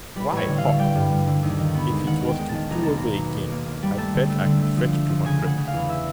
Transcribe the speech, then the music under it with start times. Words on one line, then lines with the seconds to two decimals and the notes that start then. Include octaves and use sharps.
Why, Huck, if it was to do over again, I bet I could fetch two hundred!
0.16 G3 B4
0.32 A1 C#5
0.48 D3
0.58 F5
0.64 D3
0.79 G3 G5
0.95 G2
1.12 G2
1.27 D3
1.43 D#2
1.59 D#3
1.75 B3
1.92 G#3
2.07 D#3 F#5
2.23 D#3
2.29 G5
2.39 G#3
2.49 A5
2.55 D#3
2.70 B1 A#5
2.83 A#3 A5
2.98 A#5
3.03 B2
3.18 B1
3.35 B1
3.50 A#3
3.66 A#3
3.83 G3
3.98 A3 A5
4.14 D3
4.30 A3
4.46 D3
4.62 A3
4.77 F3
4.93 A3
5.09 F3
5.25 C#3 G#5
5.41 C#3
5.47 F#5
5.57 C#3
5.67 F5
5.73 E2
5.89 E3 E5